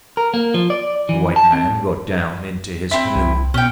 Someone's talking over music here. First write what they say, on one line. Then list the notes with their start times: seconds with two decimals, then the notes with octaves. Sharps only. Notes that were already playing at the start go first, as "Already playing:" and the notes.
The white man got down into his canoe.
0.17 A#4
0.34 A#3
0.54 F3
0.70 D5
1.09 E3
1.36 A5
1.52 C4
2.91 C4 E4
3.16 C2
3.54 B2 C#4 G5